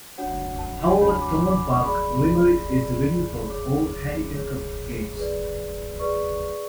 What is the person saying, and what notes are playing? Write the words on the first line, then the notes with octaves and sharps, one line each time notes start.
However Thomond Park, Limerick is the venue for all Heineken Cup games.
D4 F#4 C#5 F#5
A5
G#5
A5
D4 F#4 C#5 B5
D6
D6
C#6
G#4 D5 B5
G#4 D5
G#4 C#5 D6
G#4 C#5
G#4 B4 D5
G#4 B4 D5 C#6